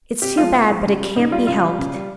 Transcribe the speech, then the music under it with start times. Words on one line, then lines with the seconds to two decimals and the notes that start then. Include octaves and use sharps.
It's too bad, but it can't be helped.
0.22 C3 G4
0.37 F3 G#3 F4
0.53 C3 F4
0.70 F3 G#3
0.86 C#3
1.01 G3
1.16 C#3 D#4
1.31 G3 F4
1.47 C#3 F4
1.63 G3
1.78 C#3
1.94 G3